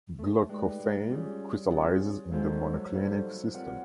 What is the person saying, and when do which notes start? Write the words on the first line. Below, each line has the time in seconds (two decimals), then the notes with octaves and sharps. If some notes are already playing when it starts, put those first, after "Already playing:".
Glaucophane crystallizes in the monoclinic system.
0.19 A3
0.49 G#3 D#4 G4 B4 D5 G5
0.80 G#3
1.10 G3 C#4 F4 G#4 C#5
1.71 C#4 F4 G#4 C#5
2.32 G#3 A#3 D#4 F#4 A4 C5
2.53 G3
2.73 F#3
2.93 G3 A#3 D#4 F#4 A4 C5
3.24 F#3
3.54 G3 C4 F4 A#4 C#5 F#5